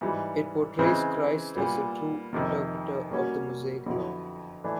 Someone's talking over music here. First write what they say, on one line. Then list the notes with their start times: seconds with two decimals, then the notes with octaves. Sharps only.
It portrays Christ as the true interpreter of the Mosaic Law.
0.01 G#2 E3 G3
0.79 C#3 E3 G#3 C4
1.56 A#2 G3 B3
2.33 F2 C3 D#3
3.10 B2 G3 A#3 C#4 F#4
3.86 F2 D3 F#3 B3 E4
4.64 E3 A3 D4